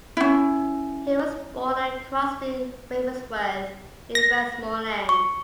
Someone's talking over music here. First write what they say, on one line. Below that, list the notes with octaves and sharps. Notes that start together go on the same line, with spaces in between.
He was born at Crosby Ravensworth in Westmorland.
C#4 E4
A#6
C#6